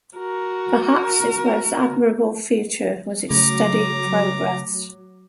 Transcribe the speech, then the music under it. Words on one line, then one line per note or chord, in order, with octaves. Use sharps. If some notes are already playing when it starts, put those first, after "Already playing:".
Perhaps its most admirable feature was its steady progress.
F#4 A#4
C#3 F#3 A3 A#5 D6